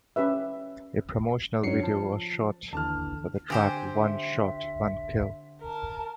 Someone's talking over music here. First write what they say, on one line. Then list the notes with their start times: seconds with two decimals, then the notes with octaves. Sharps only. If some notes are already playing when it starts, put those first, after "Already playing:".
A promotional video was shot for the track "One Shot, One Kill".
0.16 C#4 G4 B4 E5
1.63 F#2 F#3 C#4 C7 C#7
1.83 F3 A5
2.73 D#2 D3 E3 A5 F6
3.50 D3 C4 G4 C5 G#5
3.95 E5
5.62 A#4 A5